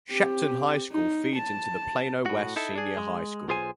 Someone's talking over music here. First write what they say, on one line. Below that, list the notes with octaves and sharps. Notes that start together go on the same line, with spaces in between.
Shepton High School feeds into Plano West Senior High School.
C4 G4
D#4
A5
A2 F#4
D#4 E4 A4
D4 G#4
G#3
B1 F4 G#4 C5 G#5